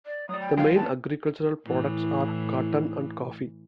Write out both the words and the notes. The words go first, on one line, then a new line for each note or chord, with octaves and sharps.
The main agricultural products are cotton and coffee.
D5
F#3 D5 D#6
G5
D#3 F#3 G#3 F5 G5
C#3 A#3 B3 A5
A2 E3